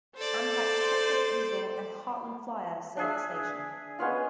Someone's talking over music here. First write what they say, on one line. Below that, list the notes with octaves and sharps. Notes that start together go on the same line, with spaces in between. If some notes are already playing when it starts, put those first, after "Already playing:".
Amtrak's "Texas Eagle" and "Heartland Flyer" serve the station.
A4 C5 D5
D4 G#4 E5
G#3 B3 C#4 F4